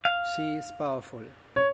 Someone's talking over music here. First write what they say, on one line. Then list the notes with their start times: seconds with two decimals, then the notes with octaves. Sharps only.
She is powerful.
0.05 F5
1.56 C#5